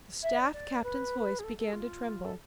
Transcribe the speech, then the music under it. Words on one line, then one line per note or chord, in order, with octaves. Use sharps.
The staff captain's voice began to tremble.
E5
D5
D5
B4
G#4
A4
A4
F4
A4